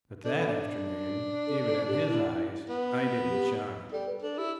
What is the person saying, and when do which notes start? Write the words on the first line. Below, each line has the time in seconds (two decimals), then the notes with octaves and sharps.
But that afternoon, even in his eyes, I didn't shine.
0.25 D4 A4
0.36 B3
0.48 D4
1.47 A4
1.67 A4
1.88 G4
2.08 E4
2.69 B3
3.30 G4
3.92 G3 A4
4.07 B4
4.22 D4 A4
4.37 E4 G4